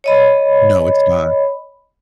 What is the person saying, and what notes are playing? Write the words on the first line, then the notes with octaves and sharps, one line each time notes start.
No, it's not.
C#5 D#5 B5